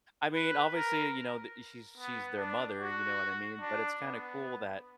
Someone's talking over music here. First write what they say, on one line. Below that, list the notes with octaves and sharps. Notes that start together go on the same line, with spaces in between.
I mean, obviously, you know th she's she's their mother, you know what I mean? But it's kinda cool that
B4
A#4
B3
D4
F#4
D4
B3